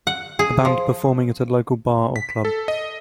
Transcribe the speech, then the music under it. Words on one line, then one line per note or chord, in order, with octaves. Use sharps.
A band performing at a local bar or club.
F#5
G#4
F3
B6
A4
D#5